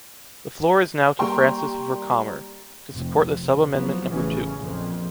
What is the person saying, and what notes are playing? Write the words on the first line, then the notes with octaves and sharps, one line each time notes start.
The floor is now to Francis Vercamer, to support the sub-amendment number two.
G3 A#3 G5 A#5 C6 C#6
F1 F2
C3
F3 F#3 B3
A1 C#3 E3 B3 C#4
A#1 F2 F3